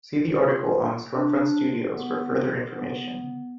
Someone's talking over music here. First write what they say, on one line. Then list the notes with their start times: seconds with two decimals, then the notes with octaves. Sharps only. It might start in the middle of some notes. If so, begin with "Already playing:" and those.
See the article on Stormfront Studios for further information.
0.38 F4
1.14 D4
1.90 B3
2.65 B3